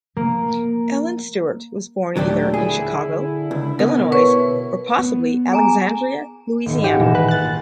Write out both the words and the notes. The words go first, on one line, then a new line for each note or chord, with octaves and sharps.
Ellen Stewart was born either in Chicago, Illinois or possibly Alexandria, Louisiana.
A#3
D#2 A#2 F#3 A3 D4 G4
D3 E4 G#4
C#2
B2 A#4
B4 C#5 C#6
B3
G#4 G#5 A#5
D#1 G#1
G4 F5 F#5 G#5
A#2 E3 A#6 E7
B4
F#6 A6
A#3 F4